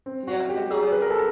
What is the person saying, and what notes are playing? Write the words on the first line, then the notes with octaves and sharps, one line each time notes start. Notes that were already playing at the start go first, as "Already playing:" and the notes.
Yep, it's always
C4
F#4
G4
G#4
B4
A#4
A4